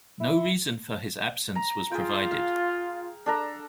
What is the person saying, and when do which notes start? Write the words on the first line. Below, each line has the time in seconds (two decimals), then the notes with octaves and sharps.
No reason for his absence was provided.
0.20 E4
1.56 A#5
1.91 F4 G#4 G5
2.31 F5
3.26 D4 A4 A#5